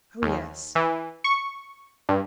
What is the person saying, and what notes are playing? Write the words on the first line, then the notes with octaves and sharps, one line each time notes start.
"Oh yes."
D#2
E3
C#6
G2